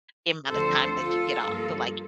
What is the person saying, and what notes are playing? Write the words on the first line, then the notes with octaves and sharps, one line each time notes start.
the amount of time that you get off. So like,
D2 D3 F3 C4 A4 C5
F4 A4
G2 F3 A#3